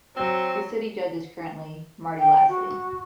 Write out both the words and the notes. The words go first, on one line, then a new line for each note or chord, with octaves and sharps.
The city judge is currently Marty Lasley.
F#3 C4
G5
F#4